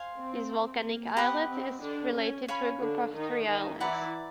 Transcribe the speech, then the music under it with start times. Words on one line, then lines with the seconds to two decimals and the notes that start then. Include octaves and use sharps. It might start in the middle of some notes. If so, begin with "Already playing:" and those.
This volcanic islet is related to a group of three islands.
Already playing: C5 F5 G#5 C6
0.17 C4
0.83 A#3
1.16 B3 G4 B4 D#5 F#5
1.49 C4
1.82 D3 D4
2.16 C#4
2.48 C#4 C#5 F5 G#5 B5
2.81 D3 D4
3.14 D#3 D#4
3.47 D#3 D#4
3.80 E3 E4 B4 D5 F#5 A#5